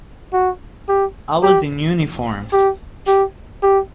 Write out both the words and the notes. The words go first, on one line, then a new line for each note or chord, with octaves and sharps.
I was in uniform!
F#4
G4
G4
G4
G4
G4